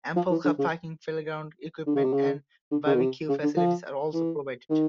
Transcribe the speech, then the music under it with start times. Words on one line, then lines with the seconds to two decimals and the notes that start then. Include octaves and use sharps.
Ample car parking, playground equipment and barbecue facilities are also provided.
0.16 F3
0.31 E3
0.45 D3
0.59 C#3
1.87 D3
1.95 C#3
2.04 C3
2.13 C#3
2.71 D3
2.86 C#3
2.94 B2
3.00 C3
3.28 C#3
3.43 D3
3.56 F3
4.14 E3
4.70 D#3